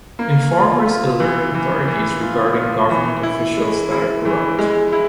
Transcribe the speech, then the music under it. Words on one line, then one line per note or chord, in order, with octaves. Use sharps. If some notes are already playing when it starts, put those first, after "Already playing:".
Informers alert authorities regarding government officials that are corrupt.
A#3
F4
F4
E3
E3
E3
F4
F4
E3
E4
G#3
E4
E3
G#3
E4